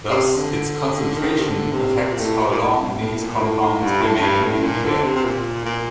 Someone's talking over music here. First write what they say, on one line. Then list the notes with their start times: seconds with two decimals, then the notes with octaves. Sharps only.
Thus, its concentration affects how long these compounds remain in the air.
0.09 C3
0.36 D3
1.17 D#3
1.38 C3
1.45 D3
1.73 C3
1.99 C3
2.11 A#2
2.19 A2
2.40 A#2
2.52 A#2
2.60 A2
2.81 G2
3.00 A2
3.21 A#2
3.42 A2
3.62 A2
3.82 G2
4.02 A2
4.15 A2
4.22 G2
4.43 A2
4.63 A#2
4.84 D3
5.04 C3
5.16 C3
5.24 A#2
5.65 A#2